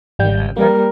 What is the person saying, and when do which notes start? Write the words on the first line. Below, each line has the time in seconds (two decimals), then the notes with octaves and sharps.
Yeah, that
0.19 G#1 G3 G6
0.57 G3 A#3 A#4